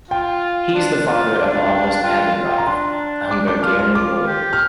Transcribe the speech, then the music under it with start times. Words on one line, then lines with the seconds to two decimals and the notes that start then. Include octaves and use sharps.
He is the father of August Abendroth, a Hamburgian lawyer.
0.11 F4 G5
0.75 D4
1.07 F4
1.39 D4 D5
1.56 F5
1.69 G5
1.83 F5
2.03 F4 G5
2.36 F4
2.49 G5
2.58 A#5
2.67 D4 C6
3.31 D6
3.48 D6
3.63 F4 F6
3.79 F6
3.95 F4 D6
4.27 G4
4.53 F6